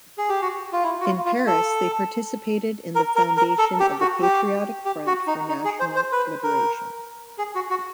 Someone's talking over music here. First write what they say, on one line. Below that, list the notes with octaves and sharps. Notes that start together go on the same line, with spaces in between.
In Paris they participated in the foundation of the Patriotic Front for National Liberation.
G#4
G4
F#4
F4
E4
F#4
F4
F4
A4
A#4
A#4
A#4
A4
G4
F#4
G4
G4
F#4
D#4
D#4
G#4
C5
C5
B4
A#4
G#4
F#4
F#4